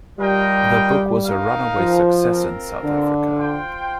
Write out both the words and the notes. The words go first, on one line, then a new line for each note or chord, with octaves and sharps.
The book was a runaway success in South Africa.
G3 F4 A#4 D#5 G5
D#4 A#4 F5
F3
C4 F4 A#4
D3
F4 C5 G5